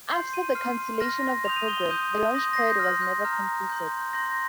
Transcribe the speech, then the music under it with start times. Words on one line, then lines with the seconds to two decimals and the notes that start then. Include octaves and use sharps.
After the cancellation of the program the launch pad was never completed.
0.10 C6 G6 C7
0.33 D#7
0.55 C6 F6 C7
1.00 C6 F6 A#6
1.45 C6 D#6 G6 F7
1.56 D#7
1.68 G7
1.90 C6 D#6 G6 D#7
2.35 C6 D#6 G6 A#6
2.53 A#6
2.57 C7
2.70 G6
2.79 C6 F6 A#6
3.02 G6
3.25 A#5 F6
3.70 C6 G6
4.13 C6 G6 A#6